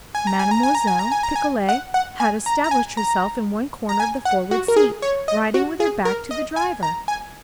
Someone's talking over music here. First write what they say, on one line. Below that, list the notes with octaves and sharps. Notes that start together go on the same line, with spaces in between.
Mademoiselle Picolet had established herself in one corner of the forward seat, riding with her back to the driver.
G#5
A#5
G#5
A#5
G#5
A#5
G#5
A#5
G#5
A#5
G#5
F#5
F#5
G#5
A#5
A#5
G#5
A#5
A#5
G#5
F#5
F#4
A#4
G#4
C#5
D#5
F#4
G#4
A#4
D#5
G#5
A#5
G#5